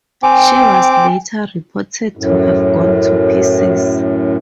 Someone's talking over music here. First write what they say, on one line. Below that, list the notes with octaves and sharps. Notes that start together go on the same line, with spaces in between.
She was later reported to have gone to pieces.
C4 G5 G#5 D6
F#2 A2